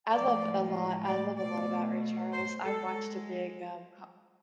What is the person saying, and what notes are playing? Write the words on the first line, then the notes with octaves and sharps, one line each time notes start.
I love a lot I love a lot about Ray Charles, I watched a big, uh, co
A2 F3 G#3 D5
D5
B2 A3 D5
C5
G#3 A4